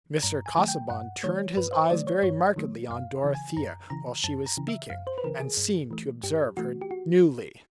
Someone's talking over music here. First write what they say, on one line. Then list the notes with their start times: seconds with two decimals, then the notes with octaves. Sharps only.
Mr. Casaubon turned his eyes very markedly on Dorothea while she was speaking, and seemed to observe her newly.
0.23 G2 A#5
0.46 G#5
0.56 D#3 F#3 A3
0.68 G5
0.90 G2 F#5
1.23 D#3 F#3 A3 C#5
1.57 G2 B4
1.73 C5
1.90 D#3 F#3 A3 D5
2.07 C#5
2.23 G2 C#5
2.56 D#3 F#3 A3
2.90 F#2 F5
3.24 C#3 E3
3.35 G#5
3.57 F#2 A#5
3.90 C#3 E3 A#5
4.24 F#2 A5
4.46 A#5
4.57 C#3 E3
4.68 E5
4.90 F#2 F5
5.07 C5
5.18 B4
5.24 C#3 E3 A#4
5.40 G#4
5.57 G2
5.91 E3 A3
6.23 G2 G4
6.57 E3 A3 F#4
6.81 G4
6.91 F#4